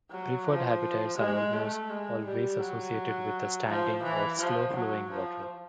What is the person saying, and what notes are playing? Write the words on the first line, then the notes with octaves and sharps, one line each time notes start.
Preferred habitats are almost always associated with standing or slow-flowing water.
F#3
F3
G#3
A3
G#3
G3
F#3
F3
E3
F3
F#3
F3